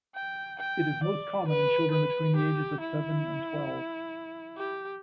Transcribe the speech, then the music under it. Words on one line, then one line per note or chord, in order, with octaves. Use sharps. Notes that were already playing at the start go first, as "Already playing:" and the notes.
It is most common in children between the ages of seven and twelve.
G5
G5
D5
B4
B4
G4
E4
G4